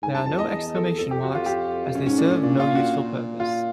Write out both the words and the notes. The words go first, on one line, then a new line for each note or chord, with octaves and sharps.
There are no exclamation marks, as they serve no useful purpose.
G#2 G#5
G2 A5
F2 A5
E2 D#5
D#5
A4
F2 A4
G4
F#4
F4
G4
F#2 C#4
G#2 C#4
A2 D4
C#4
A#2 D4
F4
F#4
F4